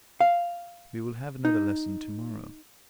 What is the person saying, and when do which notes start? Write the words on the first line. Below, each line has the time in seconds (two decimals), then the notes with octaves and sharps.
We will have another lesson to-morrow.
0.21 F5
1.45 D#4